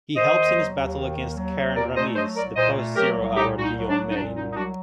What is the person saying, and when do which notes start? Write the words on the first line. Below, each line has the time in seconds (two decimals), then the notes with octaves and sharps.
He helps in his battle against Karen Ramis, the Post-Zero Hour Lion-Mane.
0.16 D#3 C5 D#5
0.36 D#2
0.56 F#3
0.76 D#2
0.96 D#3
1.16 D#2
1.36 F#3
1.56 D#2
1.76 A#2 A#4 D5
1.96 A3 C5 D#5
2.16 F#3 C5 D#5
2.36 C2 A#4 D5
2.56 A#2 C5 D#5
2.76 A3
2.96 F#3 G4 A#4
3.16 C2
3.36 A#2 D#4 G4
3.56 C2 F#4
3.63 D#4
3.76 F#3
3.89 D4
3.97 C2
4.10 D#4
4.16 A#2 D4
4.36 C2 D#4
4.52 D#4
4.56 F#3 D4 F#4